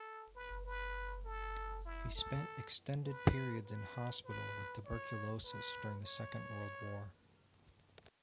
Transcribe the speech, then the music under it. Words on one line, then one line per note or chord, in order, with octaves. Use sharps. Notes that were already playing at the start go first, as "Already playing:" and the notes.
He spent extended periods in hospital with tuberculosis during the Second World War.
Already playing: A4
B4
B4
A4
E4
A4
B4
B4
B4
C#5
B4
C#5